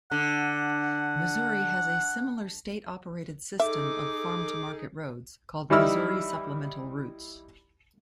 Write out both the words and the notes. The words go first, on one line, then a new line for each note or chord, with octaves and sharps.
Missouri has a similar state-operated system of farm-to-market roads, called Missouri supplemental routes.
D3 F#5
D#4 G#4 A4 E5 D6
E3 G3 D#4 E4 E6 F6